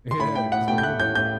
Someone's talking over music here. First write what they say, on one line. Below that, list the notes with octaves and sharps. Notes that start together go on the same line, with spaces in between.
Yeah, 'cause we're human.
C6
A2 B5
A2 G5
A2 F#5
A3 G5
G6
A3 F#6
A2 G6
A2 G6